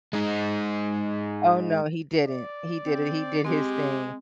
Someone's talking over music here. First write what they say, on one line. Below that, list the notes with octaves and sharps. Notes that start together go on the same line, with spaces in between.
Oh, no, he didn't, he did it, he did his thing,
G#3 D#4
D5
C4
G#3 C4 G4